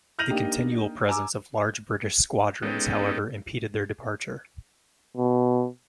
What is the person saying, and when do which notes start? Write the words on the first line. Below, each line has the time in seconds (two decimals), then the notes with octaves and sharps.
The continual presence of large British squadrons, however, impeded their departure.
0.19 F6 G6 A#6 D#7 F7 F#7
0.30 A#3 D4 D#4 G4
1.08 G#5 A#5 D6 E6
2.63 G#3 B3 C#4 D#4 A4 G5
5.17 B2